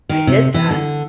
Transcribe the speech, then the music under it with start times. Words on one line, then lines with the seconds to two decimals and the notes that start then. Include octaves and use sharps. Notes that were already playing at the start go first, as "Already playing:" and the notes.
I did that.
0.09 D#3
0.27 C3
0.54 E3
0.71 D3